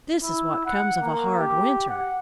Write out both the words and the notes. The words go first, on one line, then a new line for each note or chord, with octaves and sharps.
"This is what comes of a hard winter."
E4
F#5
A#3
G4
F#5